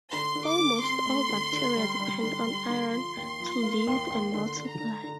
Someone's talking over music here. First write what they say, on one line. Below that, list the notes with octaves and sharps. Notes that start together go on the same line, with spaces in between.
Almost all bacteria depend on iron to live and multiply.
D3 C6
D3
D6
D3
C4 C6
D2
D3
D3
G3
G3
D3 C6
G3
D3
F3 C6
D#2
F3
A#3
D#2
D#2
D3 C6
D3
A#5
D3
D3